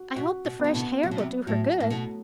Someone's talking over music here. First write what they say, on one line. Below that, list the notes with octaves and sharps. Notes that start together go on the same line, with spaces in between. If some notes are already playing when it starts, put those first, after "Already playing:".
"I hope the fresh h'air will do her good."
Already playing: F#4
B2 F#4
B2
E3 B3
B2 D3
C3 F#3
B2
C3
A2 F#3
A2
B2 A3